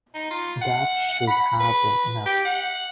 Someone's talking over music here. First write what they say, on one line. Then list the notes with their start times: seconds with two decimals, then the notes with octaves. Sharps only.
That should have been enough.
0.15 D#4
0.31 F4
0.62 F#5
1.27 B5
1.60 B4
2.26 G4
2.45 F#5